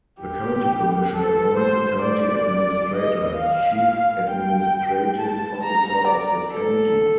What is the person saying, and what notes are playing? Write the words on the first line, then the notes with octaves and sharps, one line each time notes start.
The county commission appoints a county administrator as chief administrative officer of the county.
G4
A4
C5
D5
D#5
F5
G5
A5
A#5
D5
A4